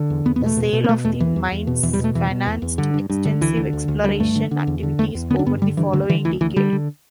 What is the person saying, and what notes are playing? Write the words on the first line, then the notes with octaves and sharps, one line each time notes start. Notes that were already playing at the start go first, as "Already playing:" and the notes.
The sale of the mines financed extensive exploration activities over the following decade.
Already playing: D3
E2
E2 B3
B3
B2 A3
B2
B2
B3
B2 A3
E2 A3
E2 E3
E2
E2
B2
E2 E3
G3
B2 A3
E2 E3
B2
E2
E2
G2 D3
G2
G2
D3
D2 E3
D3
D2
D2
D3 G3
G2 A3
D3
D3
E2
D3
E2 A3
E2
D3 B3
D4
G2 B3
D3 G3
G2 E3
D2 D3
D3 E3
D2 E3
D2 E3
D3 G3
D3